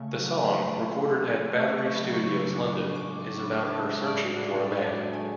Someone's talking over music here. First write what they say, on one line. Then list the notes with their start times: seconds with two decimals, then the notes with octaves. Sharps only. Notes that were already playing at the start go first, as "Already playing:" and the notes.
The song, recorded at Battery Studios, London, is about her searching for a man.
Already playing: C#3 A3 C#6
0.13 F#3
0.36 C#3
0.61 A3
0.84 C#3
1.07 F#3
1.31 C#3
1.55 A3
1.78 C#3 C#6
1.95 B5
2.01 F#3
2.08 B5
2.13 C#6
2.25 C#3
2.31 C#6
2.48 D4 D6
2.72 A2 C#6
2.95 G#3 D6
3.19 A2 C#6
3.37 C#6
3.42 D4 B5
3.66 A2 A5
3.89 G#3 E5
4.06 D5
4.13 A2
4.24 F#4
4.37 D4
4.42 G#4
4.60 A2 A4
4.77 C#5
4.84 G#3
4.96 D5
5.07 A2
5.13 G#5